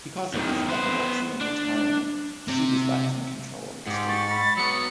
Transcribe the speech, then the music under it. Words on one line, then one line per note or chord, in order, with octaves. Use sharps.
Because of his epilepsy and retirement, she was left in control of the state.
E2 D#3
B3 C5
D4
C3
G#2 G4
C#6 A6
B5
F#3 B3 C#7